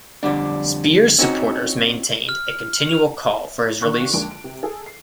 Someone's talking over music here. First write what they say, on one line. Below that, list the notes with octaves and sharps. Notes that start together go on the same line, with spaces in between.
Speer's supporters maintained a continual call for his release.
F2 D3 G3 D4
C4 C#4 D#4 F#4
F6
F7
D#3 D4 F5 C#6 F#6
F2 G#3 A#3 D4 D7
D7
C3
G#4 A4
C7